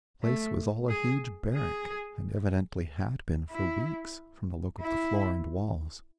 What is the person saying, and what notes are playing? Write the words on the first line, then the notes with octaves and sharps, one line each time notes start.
The place was all a huge barrack, and evidently had been for weeks, from the look of the floor and walls.
A3
G#4
G#4
E4
E4